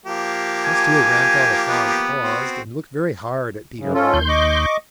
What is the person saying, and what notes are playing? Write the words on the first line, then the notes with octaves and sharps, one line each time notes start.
Just here Grandfather Frog paused and looked very hard at Peter Rabbit.
F3 A#3 G4
G#5
B3
C4 F#4
F#2 C#3
C#4 F4 A4
D#2 C6 G6
D#5 C#6 D6